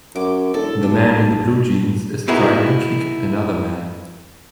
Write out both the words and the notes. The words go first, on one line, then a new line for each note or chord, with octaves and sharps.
The man in the blue jeans is trying to kick another man.
F#2 D6
E1 A4
B1 D4
B3 D#4 E4 F#4 G#4 A#4